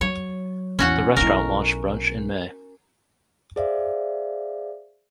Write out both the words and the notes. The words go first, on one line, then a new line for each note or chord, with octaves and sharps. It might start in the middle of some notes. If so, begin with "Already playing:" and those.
The restaurant launched brunch in May.
F#3 C#5
A#1 E2 C#4 F#4 F#5
B1 E4 A#4
G#4 C5 D5 E5 F5